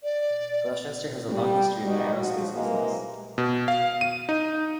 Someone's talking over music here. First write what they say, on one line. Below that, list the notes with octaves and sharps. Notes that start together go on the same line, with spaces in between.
Gloucester has a long history in the aerospace business.
D5
G3
B2 D#3 G3 D#4 F#4
F3 F#4
C3 E3 G#3 A#3
B2
F5
D#7
D#4